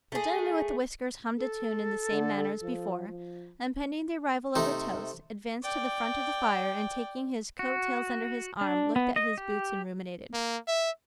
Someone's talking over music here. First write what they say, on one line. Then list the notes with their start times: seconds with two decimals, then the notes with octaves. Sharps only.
The gentleman with the whiskers hummed a tune in the same manner as before, and pending the arrival of the toast, advanced to the front of the fire, and, taking his coat tails under his arms, looked at his boots and ruminated.
0.12 A3 G#4
1.37 A4
2.11 D3
2.62 F3
3.08 F3
4.55 C3 A3 D#4
5.63 D5 G5
7.59 F#4
8.61 D4
8.96 B3
9.16 D#5
9.38 G4
10.33 A#3
10.67 E5